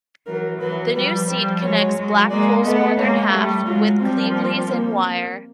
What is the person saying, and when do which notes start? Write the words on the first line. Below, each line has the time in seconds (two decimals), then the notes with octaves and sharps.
The new seat connects Blackpool's northern half with Cleveleys in Wyre.
0.26 E3 F#3 A#4
0.60 E3 F#3 B4
0.94 F3 G3 B4
1.28 F3 G3 C5
1.61 F#3 G#3 C#5
1.96 F#3 G#3
2.29 G#3 A#3 D5
2.63 A3 B3 D#5
2.97 G#3 A#3 C#5
3.32 G3 A3 G4
3.66 F#3 G#3 F4
4.00 F3 G3 C4
4.34 A#3
4.68 A#3